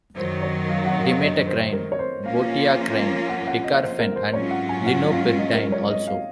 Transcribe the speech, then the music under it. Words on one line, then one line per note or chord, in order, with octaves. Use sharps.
Dimetacrine, Botiacrine, Dicarfen and Linopirdine also.
F#2 D#3 F#3 C5
C#5
F5
F#5
F5
D#5
C5
A#4
C#5
C5
F3 A#3 C#4 F4 F5
F5
F#5
F#5
D#5
C5
A#4
C5
G#2 F#3 C#4 F4 C#5
F#5
G#5
F#5
F5
D#5
A#4
C#5
D#5
F5